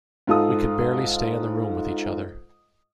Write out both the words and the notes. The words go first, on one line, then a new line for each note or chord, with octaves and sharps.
We could barely stay in the room with each other.
G#2 F4 A4 D#6